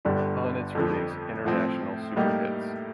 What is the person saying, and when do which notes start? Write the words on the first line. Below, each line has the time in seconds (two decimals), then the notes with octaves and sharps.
Upon its release, International Superhits!
0.05 G1 G2 D3 G3 D4
0.75 F2 D3 F3
1.45 A2 F3 C4
2.16 A2 G3 A#3 D#4 G4